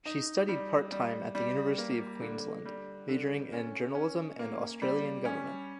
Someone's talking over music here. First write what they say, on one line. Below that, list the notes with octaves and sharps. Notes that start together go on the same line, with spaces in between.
She studied part-time at the University of Queensland, majoring in journalism and Australian government.
D#4
G3
G3
G3
A#3
D3
G3
D3
C#4
C#4
A#3
G3
C#4